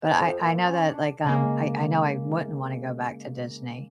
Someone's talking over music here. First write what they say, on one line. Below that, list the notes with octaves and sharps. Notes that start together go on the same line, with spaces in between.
but I I know that, like, um I I know I wouldn't wanna go back to Disney.
B4
F2
A#2
C#4
C#4
D4
C#3 G#3 A#3